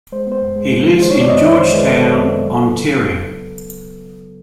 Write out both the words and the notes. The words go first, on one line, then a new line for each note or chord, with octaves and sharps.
He lives in Georgetown, Ontario.
G#3 C5
B3 C5
F#2
G#3
G#3
D#3
G#3 C5
C#5
B3
D5
F#2 D#5
F#2 E5
D#3 C5
G#3 B4
B3 A4
F#2
F#2
B3
F#3
B3
C#3